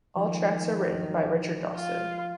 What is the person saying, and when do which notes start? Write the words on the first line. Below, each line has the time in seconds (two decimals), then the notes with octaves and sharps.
All tracks are written by Richard Dawson.
0.16 D#3 F3
1.75 F4